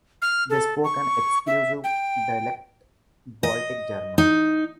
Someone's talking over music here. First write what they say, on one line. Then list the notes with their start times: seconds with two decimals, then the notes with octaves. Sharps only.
They spoke an exclusive dialect, Baltic German.
0.22 F6
0.50 A4
0.84 C#6
1.47 E5
1.84 G5
3.43 D#5
4.18 D#4